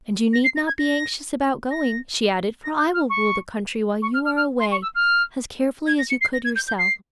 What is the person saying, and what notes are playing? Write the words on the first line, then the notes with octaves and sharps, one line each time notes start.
'And you need not be anxious about going,' she added, 'for I will rule the country while you are away as carefully as you could yourself.'
A#6
C7
A#6
G#6
A#6
A#6
A#6
G6
F6
C#6
C#6
F6
F6
F6
C6
C#6
E6
F6
G#6
A#6
C#7
C7
A#6
G#6
G6
G6
C7